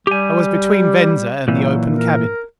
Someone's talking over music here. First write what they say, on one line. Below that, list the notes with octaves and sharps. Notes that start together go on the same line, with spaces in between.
I was between Venza and the open cabin.
G3 G4 G#5
A#2 E3 F#3
A#4